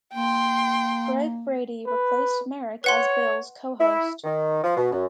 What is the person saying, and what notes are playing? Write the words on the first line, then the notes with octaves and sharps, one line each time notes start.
Greg Brady replaced Marek as Bill's co-host.
A#3 G5 C6
B4
B4 C#5 F#5 C6
E4
D#3
F3
B2
F#2